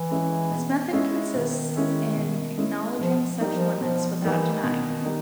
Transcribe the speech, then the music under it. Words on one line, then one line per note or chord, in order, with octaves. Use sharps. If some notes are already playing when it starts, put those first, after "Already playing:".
His method consists in acknowledging such limits without denying them.
Already playing: E3
G#3 C#4 E4
B2
G#3 C#4 E4
B2 D#3
G#3 C#4 E4
B2
G#3 C#4 E4
B2 F3
G3 A#3 D#4
F3
B2 F3
E3 G3 A#3 D#4
B2 D#3
G3 A#3 D#4